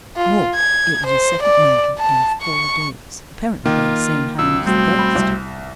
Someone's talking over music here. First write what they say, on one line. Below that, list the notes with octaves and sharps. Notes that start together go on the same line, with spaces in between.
More, it was a second murder in four days, apparently by the same hand as the first.
F4
G#6
C5
D5
A5
C#6
D#3 A#3 F4
B1 C#4 F4 E6
G3 A3 C4 F#4
B5
C2